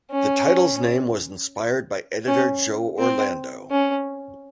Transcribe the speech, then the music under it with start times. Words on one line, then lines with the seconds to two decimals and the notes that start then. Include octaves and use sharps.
The title's name was inspired by editor Joe Orlando.
0.11 C#4
2.27 C#4
2.99 C4
3.71 C#4